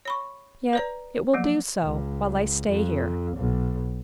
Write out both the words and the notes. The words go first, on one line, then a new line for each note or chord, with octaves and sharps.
Yet it will do so, while I stay here.
C#5 B5 C#6
B4 D5 A#5
F3 F#3 A#3
C#2
F2
B1